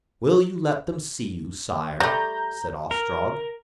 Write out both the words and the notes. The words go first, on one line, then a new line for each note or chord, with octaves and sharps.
"Will you let them see you, Sire?" said Ostrog.
G3 A3 A#5 G6
A#4